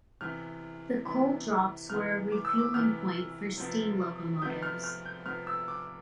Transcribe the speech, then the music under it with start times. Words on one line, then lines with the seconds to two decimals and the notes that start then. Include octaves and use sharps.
The coal drops were a refuelling point for steam locomotives.
0.21 C3 E3 B3 F6
1.05 C3 E3 B3
1.89 C3 E3 B3 F6
2.32 D6
2.45 E6
2.58 D6
2.74 C3 E3 B3 F6
3.58 C3 F3 B3
4.42 C3 F3 B3 G6
4.63 F6
4.84 F6
5.05 G6
5.26 C3 F3 B3 F6
5.47 E6
5.68 D6